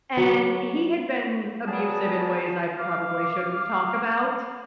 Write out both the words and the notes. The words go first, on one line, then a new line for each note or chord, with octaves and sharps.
and he had been abusive in ways I probably shouldn't talk about
F#3 D6
F#3 G3 B3 G#4 A5
F5 D6